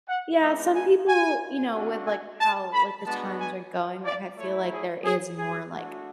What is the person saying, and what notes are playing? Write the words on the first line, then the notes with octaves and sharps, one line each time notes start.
yeah, some people, you know, with, like, how, like, the times are going, like, I feel like there is more, like
F#5
G#3 B3 D4 E5
G#5
G#5
A3 D4 F#4
G#5
A5
B5
G#3 B3 D4 F#4 A5
G#5
D5
A3 E4 C#5
G#4
G#4
G#4
A3 D4 F#4